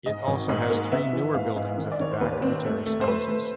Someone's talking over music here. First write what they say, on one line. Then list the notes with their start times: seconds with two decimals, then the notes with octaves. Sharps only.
It also has three newer buildings at the back of the terraced houses.
0.06 G#2 D#5
0.27 G#1
0.49 G#2
0.70 A#3
0.92 B3 E5
1.13 E3
1.34 G#2 F5
1.56 G#2
1.78 D#3
1.92 D5
2.00 D#3 C#5
2.11 C5
2.21 D#2 B4
2.42 C4
2.65 A3
2.86 A3
3.01 C5
3.07 A3 B4
3.28 A3